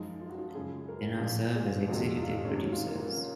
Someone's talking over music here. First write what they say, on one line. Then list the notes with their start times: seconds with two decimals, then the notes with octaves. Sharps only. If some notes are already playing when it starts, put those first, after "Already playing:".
They now serve as executive producers.
Already playing: F#2 F3 G#3 D#4
0.21 F4
0.29 F#4
0.38 F4
0.55 F#2 C#3 G#3 G#4
0.89 A#4
1.21 A#2 F3 G#3
1.55 G#4
1.88 F2 C3 F3 G#3 F#4
2.22 F4
2.45 C#4
2.55 G#2 F#3 D#4
2.72 F4
2.88 A#3
3.05 C#4